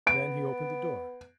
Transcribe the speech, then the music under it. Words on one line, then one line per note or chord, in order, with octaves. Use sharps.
Then he opened the door.
B3 D7